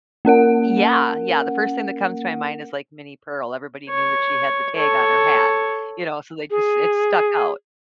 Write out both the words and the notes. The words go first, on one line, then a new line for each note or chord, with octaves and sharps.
Yeah, yeah, the first thing that comes to my mind is like Minnie Pearl, everybody knew that she had the tag on her hat, you know so they just it stuck out.
A#3 C#4 A#4 F#5
C#5
A4 C#5
G#4